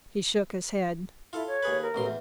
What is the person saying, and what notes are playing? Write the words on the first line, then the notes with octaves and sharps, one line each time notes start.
He shook his head.
E4 F4 A4
C#5
D#2 G#4 B4
A#4
A1 B2 C6
E2